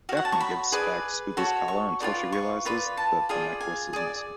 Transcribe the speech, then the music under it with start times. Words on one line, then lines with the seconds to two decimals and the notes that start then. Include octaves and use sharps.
Daphne gives back Scooby's collar until she realizes that the necklace is missing.
0.09 F#4 F5
0.12 C#5 F#5
0.25 A5
0.32 C#6
0.41 B5
0.72 G#4 B4 D5
1.37 F#4 A4 C#5
1.68 C#6
2.00 F4 G#4 B4 D5
2.32 C#6
2.65 F4 B4 D5
2.97 A5
3.29 F4 G#4 D5
3.61 G#5
3.93 G#4 D5